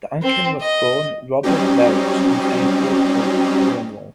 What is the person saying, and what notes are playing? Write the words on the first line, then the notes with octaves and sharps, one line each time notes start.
Duncan was born Robert Welch in Saint Austell, Cornwall.
C4
D#5
F#3 G3 C4 C#4 D#4 G4